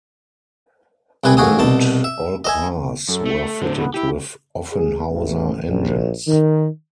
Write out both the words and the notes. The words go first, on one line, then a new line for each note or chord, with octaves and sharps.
Note: all cars were fitted with Offenhauser engines.
C2 C3 B4 G#5 D#6
A1 D#2 F#4 G#4 D#6
C2 B2 A5
E5
D#5 E5 G#5
F#2 A4
A3
A2 D3 C5
B3
E4 G4
G#4
A1
A#1
D#3